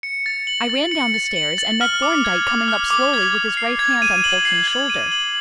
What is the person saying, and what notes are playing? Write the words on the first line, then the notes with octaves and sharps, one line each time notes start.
I ran down the stairs and met Thorndyke coming up slowly with his right hand on Polton's shoulder.
C#7
A6
F#7
A6
C#7
A6
F#7
A6
F6
D6
G#6
D6
F6
D6
G#6
D6
C7
G#6
D#7
F#7
C7
G#6
D#7
F#7